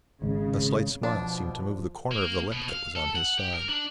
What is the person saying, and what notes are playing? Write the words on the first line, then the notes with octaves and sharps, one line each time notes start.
A slight smile seemed to move the corner of the lip that was on his side.
G#1 C#3
B2 F3 D4
A#3
B2
F5
A4
F#5
G4
A#4
D4